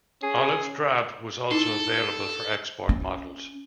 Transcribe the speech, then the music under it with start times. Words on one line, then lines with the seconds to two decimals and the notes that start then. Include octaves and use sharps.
Olive drab was also available for export models.
0.23 C#4 G#4
1.51 D#4 E4 A4
2.89 C#4